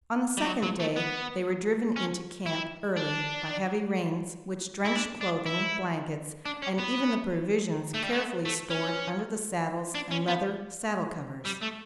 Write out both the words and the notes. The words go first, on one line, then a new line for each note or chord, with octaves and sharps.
On the second day they were driven into camp early by heavy rains which drenched clothing, blankets, and even the provisions carefully stored under the saddles and leather saddle-covers.
G3
F#3
F#3
A3
B3
C#4
E4
D4
E4
D4
D4
E4
D4
C#4
B3
A3
G3
A3
A3
C#4
D4
C#4
B3
G3
A3